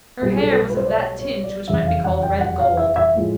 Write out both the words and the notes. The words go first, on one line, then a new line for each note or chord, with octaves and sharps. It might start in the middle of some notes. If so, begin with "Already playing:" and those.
Her hair was of that tinge which might be called red gold.
B1 B2 G3 G#4
G#4
A4
A4
A#4
B4
C5
D5
C#5
C#5
D5
F1 E2 C#3 E5
F5
F#5
G5
F#5
F5
E5
E5
A2 F3 G#3